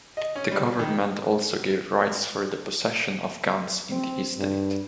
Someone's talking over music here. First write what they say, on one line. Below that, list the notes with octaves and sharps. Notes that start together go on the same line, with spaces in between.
The Government also gave rights for the possession of guns in the estate.
D#5
C#4
G3
D#3
C4
G2